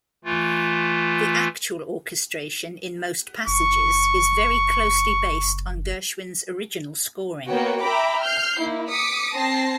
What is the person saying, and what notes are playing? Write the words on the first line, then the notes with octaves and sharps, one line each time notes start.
The actual orchestration in most passages is very closely based on Gershwin's original scoring.
E3 A3 F4
F#1 C#6
A#3 B3 F#4 C#5 G5
E5 G5 A#5 B5 D6
F6 G6 C7
A#3 D#4 E4
D6 D#6 B6 C#7
C4 A5 A#6 C7